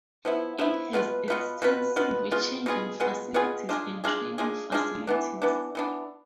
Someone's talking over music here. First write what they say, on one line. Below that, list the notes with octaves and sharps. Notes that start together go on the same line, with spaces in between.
It has extensive changing facilities and training facilities.
F3 B3 E4
F3 B3 E4
B2 B3 F4 B4
B2 B3 F4 B4
B2 B3 F4 B4
B2 B3 F4 B4
B2 B3 F4 G#4
B2 B3 F4 G#4
B2 B3 F4 G#4
B2 B3 F4 G#4
G#3 D4 F4 G#4
G#3 D4 F4 G#4
G#3 D4 F4 G#4
G#3 D4 F4 G#4
E3 B3 D4
E3 B3 D4
E3 B3 D4